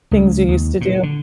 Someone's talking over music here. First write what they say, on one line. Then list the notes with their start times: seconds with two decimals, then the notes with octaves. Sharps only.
things you used to do.
0.11 C#2
0.48 D#2
0.81 A#2
1.03 D3